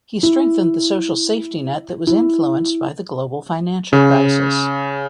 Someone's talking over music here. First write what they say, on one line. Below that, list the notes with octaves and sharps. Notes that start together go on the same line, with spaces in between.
He strengthened the social safety net that was influenced by the global financial crisis.
E4
E4
C#3